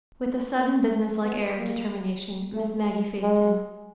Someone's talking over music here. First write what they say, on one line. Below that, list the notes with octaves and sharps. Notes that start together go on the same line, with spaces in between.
With a sudden businesslike air of determination Miss Maggie faced him.
B3
A#3
A3
B3
A#3
A3
G#3
G#3